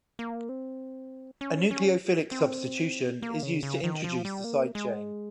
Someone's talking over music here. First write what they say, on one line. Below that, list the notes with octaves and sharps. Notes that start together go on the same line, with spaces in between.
A nucleophilic substitution is used to introduce the sidechain.
A#3
C4
C#4
C#4
C4
A#3
C#3
C#3
D#3
F3
G3
A#3
G#3